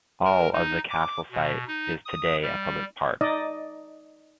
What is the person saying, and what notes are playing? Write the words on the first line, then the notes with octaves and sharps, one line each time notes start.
All of the castle site is today a public park.
A#4
D#4
D6
B2
D#4
D#6
G3
D#4 D5 D#5